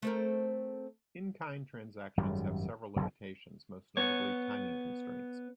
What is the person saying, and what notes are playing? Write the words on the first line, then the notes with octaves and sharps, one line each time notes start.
In-kind transactions have several limitations, most notably timing constraints.
A3 C4 A#4
G#1 F#2 G3
F#1 B1 G#2 D3
B3 C#5